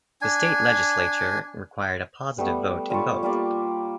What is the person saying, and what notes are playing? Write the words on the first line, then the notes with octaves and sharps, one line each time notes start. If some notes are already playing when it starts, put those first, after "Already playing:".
The state legislature required a positive vote in both.
D4 G#5
G3 A3 B3
G3 F4 A4 C#5
G3 A#3 G4 D5